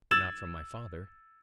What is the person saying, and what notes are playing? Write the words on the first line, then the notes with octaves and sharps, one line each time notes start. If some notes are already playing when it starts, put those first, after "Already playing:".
But not from my father.
E6 G#6 A6 E7 F#7